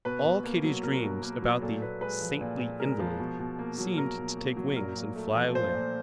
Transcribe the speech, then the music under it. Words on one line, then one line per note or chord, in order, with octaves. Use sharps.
All Katy's dreams about the "saintly invalid" seemed to take wings and fly away.
B2 B4
B2
A#3
F#3
B2 A#4
B2
A#3
F#3
A#2 A4
A#2 B4
G#3 B4
F3
A#2
A#2
G#3 A#4
F3
B2
B2
A#3
F#3
B2 A#4
B2
A#3
F#3
A#2 A#4
A#2
A3
F3
A#2 C5
A#2